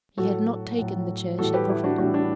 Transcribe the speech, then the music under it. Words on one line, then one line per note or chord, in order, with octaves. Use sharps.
He had not taken the chair she preferred.
A2 F#3 F#4 A4
A2 F#3
A2 E3 G3 F#4 A4
G4 B4
E4 G4
D4 F#4
A2 E3 G3 D4 F#4
D4 F#4